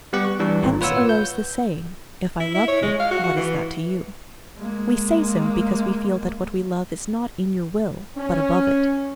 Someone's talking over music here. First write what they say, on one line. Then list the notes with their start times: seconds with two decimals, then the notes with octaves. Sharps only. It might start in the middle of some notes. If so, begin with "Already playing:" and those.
Hence arose the saying, "If I love you, what is that to you?" We say so because we feel that what we love is not in your will, but above it.
0.13 G3 B3 G4 F#5
0.25 C#6
0.40 E3 G3 D4
0.63 G#1 A#2
0.81 F4 B4 C#5 F#5 E6
1.09 G6
2.40 E4
2.55 E4
2.68 C#5
2.83 G#3
3.00 F5
3.11 F#4
3.24 F#4
3.37 E3
4.58 G#3 A#3
8.18 C#4